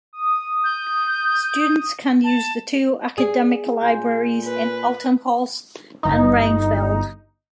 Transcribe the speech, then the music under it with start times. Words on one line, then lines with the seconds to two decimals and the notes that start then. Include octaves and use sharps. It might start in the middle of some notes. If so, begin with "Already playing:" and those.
Students can use the two academic libraries in Altenholz and Reinfeld.
0.13 D#6
0.64 G6
2.24 A5
3.18 G#4 D5
3.82 A#2 G#5 C6 G6
4.45 B4
6.03 G1 D#4